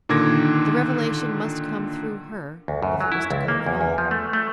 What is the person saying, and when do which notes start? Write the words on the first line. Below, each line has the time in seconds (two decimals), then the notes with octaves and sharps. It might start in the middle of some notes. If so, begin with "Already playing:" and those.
The revelation must come through her, if it was to come at all.
0.09 A#2 D3 D#3 D6 G#6 A#6
2.68 D2
2.83 F#2
3.01 F#3
3.12 E4
3.31 C#2
3.48 A#3
3.66 E2
3.81 E2
3.98 F3
4.11 A3
4.33 A3